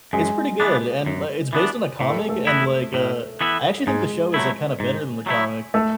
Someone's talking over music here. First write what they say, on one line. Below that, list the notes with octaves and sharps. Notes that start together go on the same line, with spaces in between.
It's pretty good, and like, it's based on a comic, and, like, uh, I actually think the show is, like, kinda better than the comic
F#2 G#3 G#4
E3 B3 D4
F#2
E3 B3 D4
A2
A4
G#4
A3 A4
E3 B3 E4
A2
E3 B3 E4
G#2 G#3 G#4
F#3 A3 E4
G#2
F#3 A3 E4
A3 A4